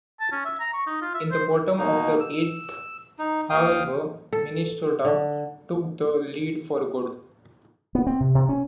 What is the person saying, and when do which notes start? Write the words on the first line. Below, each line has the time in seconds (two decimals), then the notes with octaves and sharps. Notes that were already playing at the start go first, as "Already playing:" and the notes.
In the bottom of the eighth, however, Minnesota took the lead for good.
0.21 A5
0.32 C#4
0.45 E5
0.60 A#5
0.74 C#6
0.87 D#4
1.02 F4
1.15 E5
1.31 C5
1.78 B2 A#3 D#4
2.20 E6
3.19 D#4
3.50 D#2 F5 G5 D#6
4.33 A4
5.05 D3
7.95 B3
8.07 C4
8.20 C3
8.35 C3
8.49 C#4